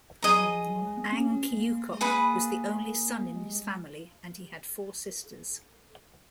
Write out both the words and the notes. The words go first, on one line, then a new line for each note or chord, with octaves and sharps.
Ang Kiukok was the only son in his family and he had four sisters.
F#3 G#4 D#5 A#5
F#3
F3
F#3
G#3
B3
C#4
C#4
G#3
A#3
G#3
A#3 G#4 B4 F#5 B5
B3
A#3
G#3